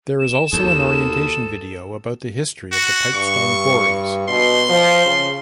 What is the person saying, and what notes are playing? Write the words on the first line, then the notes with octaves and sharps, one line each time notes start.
There is also an orientation video about the history of the pipestone quarries.
E7
D#2 A4 D#6
F#4
G2 C#6
B2 C6
F3
C#3